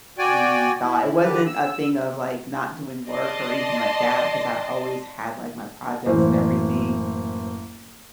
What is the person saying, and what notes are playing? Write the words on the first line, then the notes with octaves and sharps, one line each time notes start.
we thought. It wasn't a thing of, like, not doing work or anything like that, 'cause I always had, like, my projects and everything
F#4 D5 G5 G#5
E4
D3 D#3 G4 B4
E6
D5 D#5 A5 C6
F#1 A2 E3 C5